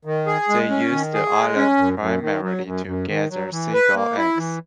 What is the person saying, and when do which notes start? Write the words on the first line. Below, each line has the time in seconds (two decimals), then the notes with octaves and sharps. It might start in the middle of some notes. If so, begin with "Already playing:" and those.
They used the island primarily to gather seagull eggs.
0.05 D#3
0.26 G#4
0.49 G#3
0.70 C#4
0.91 D#3
1.13 G#4
1.35 G#3
1.57 C#4
1.78 F#2
1.99 F#2
2.21 D#3
2.42 F#3
2.65 F#2
2.86 F#2
3.08 D#3
3.30 F#3
3.51 E3
3.73 B4
3.95 A#3
4.17 E4
4.37 E3